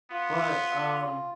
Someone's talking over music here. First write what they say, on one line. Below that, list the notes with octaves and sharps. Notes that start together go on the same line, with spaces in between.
But, um
B3 F4